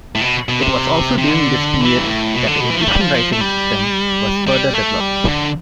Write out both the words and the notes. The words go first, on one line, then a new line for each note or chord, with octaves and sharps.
It was also during this period that the Egyptian writing system was further developed.
A2
B2
B2
C3
C3
D3
E3
G2
A2
B2
D3
B2
E3
F3
A3
G3
F3
F3
A3
G3
G3
A3
G3
D3